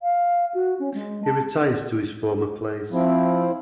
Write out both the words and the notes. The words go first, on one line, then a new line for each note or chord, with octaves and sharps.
He retires to his former place.
F5
F#4
C#4
G#3
A5
F3 C4 E4